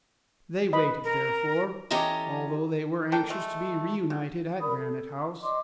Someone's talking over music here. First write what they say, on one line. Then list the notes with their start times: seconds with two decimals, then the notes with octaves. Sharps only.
They waited, therefore, although they were anxious to be reunited at Granite House.
0.73 B4 D#5 B5
1.04 A#4 A#5
1.91 E3 C#4 G4 A4 D#5 A#5
3.12 A#3 D4 A4 G5
3.30 G#3 A3 F4 F5
4.10 C#3
4.60 A#4 D5 B5 D#6
4.76 A4
5.42 D5 D#5 C6 D6